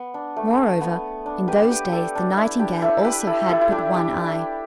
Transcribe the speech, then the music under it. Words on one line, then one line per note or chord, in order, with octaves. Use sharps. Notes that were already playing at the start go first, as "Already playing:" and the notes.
Moreover, in those days the Nightingale also had but one eye.
Already playing: B3
D4
A3
B3
D4
G4 B4
G4 B4
A4 D5
D4
E4
D4 G4
E4 A4
G4 B4
E4 A4
E4 A4
E4
D4 G4
D4 G4
E4